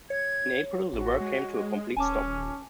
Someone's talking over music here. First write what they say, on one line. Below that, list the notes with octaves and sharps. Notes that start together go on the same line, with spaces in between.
In April, the work came to a complete stop.
C#5 G#6
A1 F#4
G#3
D#1 C#4 G#5 A5 D6